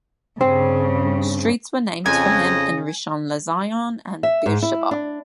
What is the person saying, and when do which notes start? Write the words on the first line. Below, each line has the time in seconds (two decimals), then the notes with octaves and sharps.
Streets were named for him in Rishon LeZion and Beersheba.
0.41 G2 C#3 C4
2.06 F2 C#3 D#5 G#5
4.23 E5
4.46 G#2
4.62 E4
4.91 D4